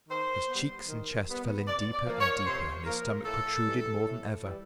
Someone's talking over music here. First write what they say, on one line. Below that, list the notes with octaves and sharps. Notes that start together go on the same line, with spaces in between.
His cheeks and chest fell in deeper and deeper, and his stomach protruded more than ever.
D#3 C5
G3 B3
D#3
G3 B3
C3 D5
D5
F3 A#3
C#5
C3 C5
F3 A#3 A#4
A2 A4
E3 G3
A2
E3 G3